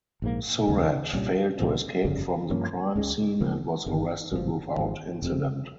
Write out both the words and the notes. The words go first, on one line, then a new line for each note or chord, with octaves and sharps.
Surratt failed to escape from the crime scene and was arrested without incident.
A#1 G#2 F3 A#3
F1 D#2 C#3 G3
C2 A#2 G3 C#4
C2 A#2 F3 C4
G1 F2 C#3 G3
G2 F3 A#3 C#4
C#2 C#3 G#3
C#2 C#3 F3 A#3
G1 G2 D#3
G#1 G2 F3
G#1 G#2 F3
F1 F2 C3